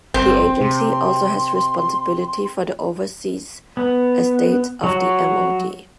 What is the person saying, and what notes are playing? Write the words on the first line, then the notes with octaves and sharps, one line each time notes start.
The agency also has responsibility for the overseas estates of the MoD.
G1 C4 C6
C3 C6
B3
F#3 F#4